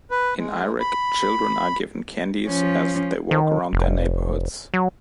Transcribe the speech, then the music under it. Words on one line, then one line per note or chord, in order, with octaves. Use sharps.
In Iraq, children are given candies as they walk around their neighborhoods.
B4
G#3
B5
F3 C#4
D#3
F1
F#3